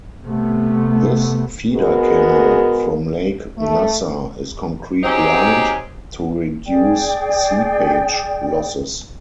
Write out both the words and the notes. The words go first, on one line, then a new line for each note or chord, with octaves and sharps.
This feeder canal from Lake Nasser is concrete lined, to reduce seepage losses.
C3 A3 B3
G#3 B3 F#4 G#4 A#4
A3
F#3 C4 D#4 G4 G#4
G#4 D5 G5